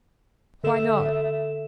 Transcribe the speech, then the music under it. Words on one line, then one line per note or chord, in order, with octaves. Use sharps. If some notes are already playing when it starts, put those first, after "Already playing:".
"Why not?"
D3 A4 E5 E7